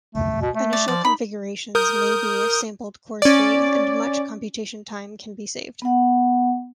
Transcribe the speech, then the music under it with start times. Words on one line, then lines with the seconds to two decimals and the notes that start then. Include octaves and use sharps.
Initial configurations may be sampled coarsely, and much computation time can be saved.
0.15 A3
0.41 B2
0.55 A3
0.73 D5
0.88 F3 D5
1.05 D#4 B5
1.75 A#4 D#6 G6
3.22 C#4 D5
5.82 B3 F#5